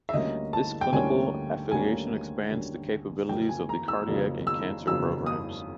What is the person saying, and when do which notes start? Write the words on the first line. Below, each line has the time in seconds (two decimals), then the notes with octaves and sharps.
This clinical affiliation expands the capabilities of the cardiac and cancer programs.
0.09 E5
0.13 D2 D3 G3 A#3 C#4 D#5
0.53 A5
0.81 G5
0.92 D2 D3 G3 A#3 C#4 G#5
1.71 D2 D3 G3 A#3 C#4 G#5
2.50 D2 D3 G3 A#3 C#4
3.29 F2 C#3 F#3 A#3 G5
3.49 G#5
3.69 A#5
3.88 E6
4.08 F2 C#3 F#3 A#3
4.47 E6
4.87 F2 C#3 F#3 A#3 E6
5.26 D#6